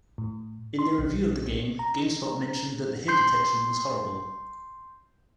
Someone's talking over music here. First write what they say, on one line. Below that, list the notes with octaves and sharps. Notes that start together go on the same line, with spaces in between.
In their review of the game, GameSpot mentioned that the hit detection was horrible.
A2
C6
B1
A#5
C6 G6 C7